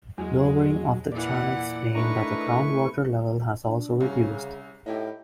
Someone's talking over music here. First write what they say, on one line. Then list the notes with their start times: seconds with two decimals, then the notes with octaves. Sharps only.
Lowering of the channels means that the ground water level has also reduced.
0.18 E2 F#3 G#3
1.12 A#2 E3 D5 F#5
1.95 D#3 A3 D4 E4 B4 A#5 C#6
3.67 D4
4.01 C2 C#3 C#4
4.86 A2 D#4 E4 G4